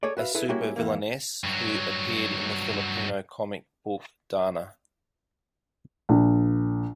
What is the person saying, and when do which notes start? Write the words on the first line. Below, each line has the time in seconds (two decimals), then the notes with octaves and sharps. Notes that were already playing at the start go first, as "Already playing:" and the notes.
A Supervillainess who appeared in the Filipino comic book Darna.
0.03 G#4 A4 C#5 D5
0.17 F#4 B4 E5 F5
0.35 E4 G#4 A4 B4
0.48 G3 A#3 C#4 E4 F#4 G#4
0.76 F2 E3 A#3
1.44 G2 F#3
6.09 A#1